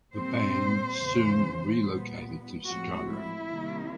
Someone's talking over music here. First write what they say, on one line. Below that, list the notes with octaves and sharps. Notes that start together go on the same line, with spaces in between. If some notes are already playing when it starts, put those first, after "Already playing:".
The band soon relocated to Chicago.
A#2 G3 C4 C5
E2 C#3 E3
A#2 G3 B3
A2 F3 G#3 C4 F#4
E4
C3 D#3 G3 A#3